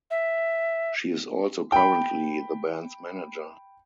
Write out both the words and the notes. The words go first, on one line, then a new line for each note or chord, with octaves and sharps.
She is also currently the band's manager.
E5
G5 B5